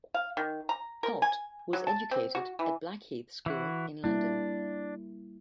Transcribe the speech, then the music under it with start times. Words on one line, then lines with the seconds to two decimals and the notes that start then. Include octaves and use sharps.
Holt was educated at Blackheath School in London.
0.14 F5
0.37 D#3
0.69 A#5
1.03 A#4
1.22 G#5
1.73 F#3
1.87 A5
2.11 C4
2.35 F#4
2.59 E3
3.46 E3 E4 F#4
4.04 G3 A#3 D4 E4